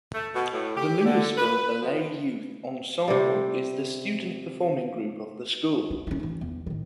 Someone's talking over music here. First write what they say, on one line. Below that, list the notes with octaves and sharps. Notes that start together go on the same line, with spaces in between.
The Louisville Ballet Youth Ensemble is the student performing group of the School.
A3
B2
A2
G4
D3
B4
F3
C3 G3
E4
C#4 E4
E3 F4
E2
A2 D#3